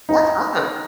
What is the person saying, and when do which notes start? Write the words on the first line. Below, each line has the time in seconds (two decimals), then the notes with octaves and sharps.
That's awesome.
0.09 D#4